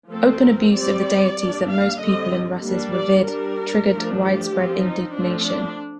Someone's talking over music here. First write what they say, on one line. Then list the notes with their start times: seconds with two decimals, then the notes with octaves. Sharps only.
Open abuse of the deities that most people in Rus' revered triggered widespread indignation.
0.11 F3 A3 C4 A4
0.42 A#4
0.74 G3 C4 D5
1.37 G3 A#3 D4
1.68 F5
2.00 D3 G3 C4 D#5
2.63 G3 A#3 D4
2.94 D5
3.25 G3 D4 A#4
3.89 F3 A3 D4
4.20 G4
4.51 F3 C4
4.83 D#4
5.14 F3 A3 C4 D4
5.45 D4